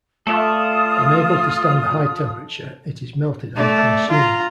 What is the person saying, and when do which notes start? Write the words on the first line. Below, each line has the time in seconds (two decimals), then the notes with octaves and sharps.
Unable to stand the high temperature it is melted and consumed.
0.27 A3 F4 A4 D5 E5 D#6
3.56 A3 D5
4.10 F4 A#5